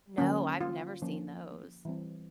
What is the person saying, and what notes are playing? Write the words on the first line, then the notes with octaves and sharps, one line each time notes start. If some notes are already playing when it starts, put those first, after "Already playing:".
No, I've never seen those.
D3 F#3 A#3 C#4
F4
F3 A#3 C#4
E3 G3 C4